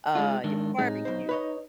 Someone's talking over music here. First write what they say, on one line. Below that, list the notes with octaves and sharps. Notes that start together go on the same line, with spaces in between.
uh, your barbecue.
G#3 D#4 F4
G#2 D#3 D4
A2 C3 G#3 D#4
B1 B2 C5
B4 C#5 D#5